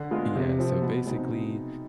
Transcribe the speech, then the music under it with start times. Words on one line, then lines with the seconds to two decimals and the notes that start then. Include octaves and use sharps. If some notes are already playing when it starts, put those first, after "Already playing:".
Yeah, so, basically,
Already playing: D3
0.11 G#3 B3 F4
0.36 C3
0.59 F3 C4
0.82 B2
1.06 G#3 C4 D#4